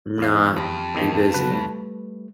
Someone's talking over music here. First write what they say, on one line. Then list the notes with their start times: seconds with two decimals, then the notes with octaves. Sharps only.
not be busy,
0.18 E2 F5
0.56 F2 G4 B5
0.95 E2 D#3 F3
1.34 C#3 F#3 F#4 B4
1.51 G3 A3